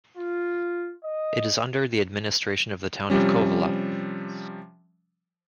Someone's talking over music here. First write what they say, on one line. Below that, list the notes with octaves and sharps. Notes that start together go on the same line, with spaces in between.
It is under the administration of the town of Kouvola.
F4
D#5
C3 F3 G3 C#4